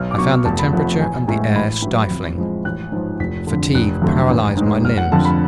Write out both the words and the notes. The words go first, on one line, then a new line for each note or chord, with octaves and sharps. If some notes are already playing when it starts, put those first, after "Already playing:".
I found the temperature and the air stifling. Fatigue paralysed my limbs.
Already playing: B1 F6
D6
B2 F#3 C#6
F1 A5
B5
F2 F3 A3 F#5
A1 G#5
A2 G#3 G#5
A1 B5
A2 F#3
F2
F3 G#3
A1 F#6
G#2 F3
F1 B6
F2 D3
F1 F#6
F2 D3 F#3 A3
A1
G#2 G#3
F1 F6
F#5
F2 D3 A5
B5